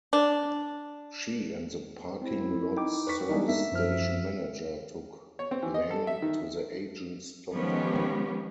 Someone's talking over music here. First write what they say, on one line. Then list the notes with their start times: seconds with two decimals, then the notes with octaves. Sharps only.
She and the parking lot's service station manager took Lang to the agent's doctor.
0.13 D4
2.22 C4 E4
2.77 D#4 G5 D6
3.07 B4 C#6 B6
3.29 E3 G3 G#3 B3 D4 D#4
3.48 A#3 E5
3.72 F#2 F3 F6
5.39 C#5
5.51 C4
5.63 E3
5.74 D#5
5.91 A4
6.07 E5
6.22 D#3
7.52 D#3 F3 G#3 B3 C#4 G4